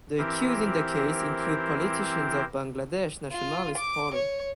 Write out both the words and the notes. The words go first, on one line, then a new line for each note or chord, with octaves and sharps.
The accused in the case include politicians of Bangladesh Nationalist Party.
E3 C4 E4 G4 A#4 C5
F4
D6
C#5